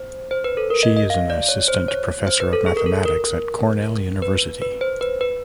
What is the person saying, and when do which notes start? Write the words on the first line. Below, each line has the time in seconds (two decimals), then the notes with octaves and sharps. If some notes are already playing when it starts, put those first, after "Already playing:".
She is an assistant professor of mathematics at Cornell University.
Already playing: C5
0.31 C5
0.44 B4
0.57 A4
0.70 A#4
0.83 D#5
0.97 D#5
1.10 F5
1.30 D5
1.49 C#5
1.68 C5
1.88 C#5
2.27 C5
2.40 B4
2.53 A4
2.66 G#4
2.77 A#4
2.86 A4
3.05 A#4
4.22 B4
4.62 B4
4.81 C5
5.01 B4
5.21 B4